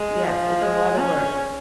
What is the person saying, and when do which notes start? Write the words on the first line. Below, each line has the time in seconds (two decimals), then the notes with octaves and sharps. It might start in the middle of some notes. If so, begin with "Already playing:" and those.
Yes, it's a lot of work.
Already playing: G#3
0.24 F3
0.61 G#3
0.98 C#4